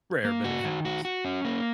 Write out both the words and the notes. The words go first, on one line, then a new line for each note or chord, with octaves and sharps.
Rare, but it happens.
A#3
F#4
D#3
F#4
F#4
C#4
A#3